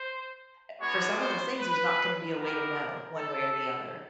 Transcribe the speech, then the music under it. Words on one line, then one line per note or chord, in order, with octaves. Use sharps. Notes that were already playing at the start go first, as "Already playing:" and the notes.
eh, for some of those things, there's not gonna be a way to know one way or the other.
Already playing: C5
G#3 B3 D4 F#4 C#5
C5
B4
B3 E4 G4 A#4
A4